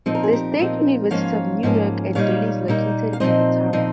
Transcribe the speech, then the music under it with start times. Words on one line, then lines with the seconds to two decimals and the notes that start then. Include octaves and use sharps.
The State University of New York at Delhi is located in the town.
0.06 A#2 F3 C4 D#4 C5
0.15 A#4
0.23 G#4
0.33 G4 A#4
0.59 A#2 F3 C4 D#4
1.10 G#2 F3 A#3 C#4 C#5 F5
1.63 G#2 F3 A#3 C#4
2.15 A#2 G3 A#3 D#4 C#5 F5
2.68 A#2 G3 A#3 D#4
3.13 F5
3.20 A#2 F3 C4 D#4 C5 D#5
3.73 A#2 F3 C4 D#4